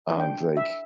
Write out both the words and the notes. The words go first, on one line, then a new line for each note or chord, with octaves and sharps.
um, like
D4 G5
E5